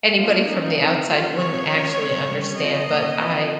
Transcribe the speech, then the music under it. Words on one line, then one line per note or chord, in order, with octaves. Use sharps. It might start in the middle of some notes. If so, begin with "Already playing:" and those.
anybody from the outside wouldn't actually understand, but I
F3 A#3 C#4 F4
F3 A#3 C#4 D#4
F3 G#3 C4
G3 A#3 C#4 F4
F3 G#3 C4 C#5
F3 G#3 C#4
D#3 G#3 C4
G3 C#4
F3 C4 D#5
D#3 A#3 C#4
F3 C4